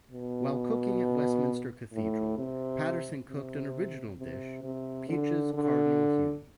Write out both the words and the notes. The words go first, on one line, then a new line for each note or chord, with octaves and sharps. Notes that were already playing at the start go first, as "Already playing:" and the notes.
While cooking at Westminster Cathedral, Paterson cooked an original dish, "Peaches Cardinal Hume".
B2
A2
C3
C3
C3
C3
D3
D3